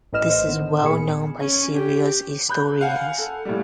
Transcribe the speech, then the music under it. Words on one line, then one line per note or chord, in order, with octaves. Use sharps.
This is well known by serious historians.
A1 A2 B4 D#5 F6 E7
C5
D#3 B3
A1 A#2 G#4 B5 C#7
C#4
G4
B5 F#6 G6
F5 F#5 G#5
A4
A2 G3